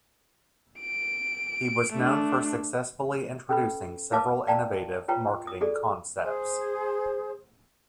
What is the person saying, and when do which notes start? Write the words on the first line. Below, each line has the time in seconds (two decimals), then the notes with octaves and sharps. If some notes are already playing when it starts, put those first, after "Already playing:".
He was known for successfully introducing several innovative marketing concepts.
0.80 D7
1.93 A3 D4
3.49 C#4 A4 B4 B5
4.12 E4 B4 F5 A5 D6
4.47 D5 F5 G5 A5 A#5
5.08 F4 B4 C#5 G5 A#5
5.47 D#6
5.61 F#4 G#4 A4 D5
6.21 G#4 C5